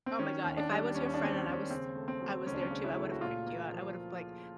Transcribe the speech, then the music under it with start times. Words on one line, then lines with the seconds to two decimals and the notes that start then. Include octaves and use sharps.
Oh my god, if I was your friend and I was I was there too, I would've creeped you out. I would've, like,
0.06 C4
0.19 D#3 C#4
0.44 D#2
0.57 D4
0.70 G3
0.94 D#2 C#4
1.06 C#4
1.14 D4
1.20 D#3 C4
1.32 C#4
1.46 D#2
1.52 C#4
1.70 C#3 C4
1.96 A3
2.08 C4
2.22 F#3
2.46 C#2 C#4
2.54 D4
2.61 C#4
2.71 C#3
2.84 E4
2.96 A3
3.12 F#4
3.21 A#2 F4
3.47 A#3
3.73 F3